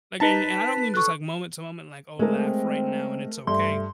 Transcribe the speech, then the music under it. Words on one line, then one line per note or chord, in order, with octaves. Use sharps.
again, and I don't mean just like moment to moment, like, oh, laugh right now and it's okay.
D#4 B4 A5 A#5 B6
A4 C#6 F#6
G#3 A3 C4 A#4
G2 A3 C6